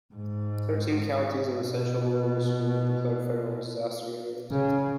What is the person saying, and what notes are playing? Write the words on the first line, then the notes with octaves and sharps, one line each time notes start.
Thirteen counties in Central Lower Michigan were declared federal disaster areas.
G#2
B2
C#3